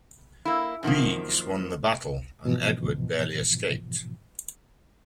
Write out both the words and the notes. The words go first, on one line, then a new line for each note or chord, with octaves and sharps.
Guigues won the battle and Edward barely escaped.
A#3 E4
F#2 D#3 F3 A#3
G#2 B2 E3 F3